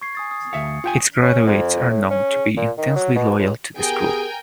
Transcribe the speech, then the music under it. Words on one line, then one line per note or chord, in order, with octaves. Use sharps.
Its graduates are known to be intensely loyal to the school.
C#6 G#6 C7
G#5 D#6 A6
D#6
D2 E5 F5 C#7
F4 G5 G#5
C#4
F2
A2
C#4
A#2
D#3
F#3
B2
C#2
B3 G4 G#4 A#4 G5 G#5